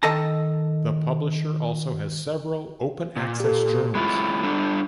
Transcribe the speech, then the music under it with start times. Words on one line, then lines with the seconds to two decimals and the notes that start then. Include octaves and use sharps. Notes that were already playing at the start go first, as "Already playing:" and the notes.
The publisher also has several open access journals.
0.03 D#3 A4 D#5 A5 A#5
3.16 A#2
3.40 G4 A4
3.95 G#3 E4 F4 B5
4.43 G3 D4 A4